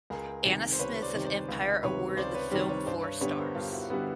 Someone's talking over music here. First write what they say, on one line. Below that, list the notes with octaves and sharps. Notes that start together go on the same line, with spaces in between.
Anna Smith of "Empire" awarded the film four stars.
C#2 G#4 A#4
C3 D#3 G3
C5
C#2 B4 C#5
C5 D5
C3 D#3 G3
C5 D5
C#2
C3 D#3 G3 B4 C#5
C#2 C5 D5
B4 C#5
C3 D#3 G3 C5 D5
B4 C#5
G2 C5 D5
B4 C#5
D3 G3 B3 B4 C#5
A#4 C5
G2 F4 G4
E4 F#4
D3 G3 B3 E4 F#4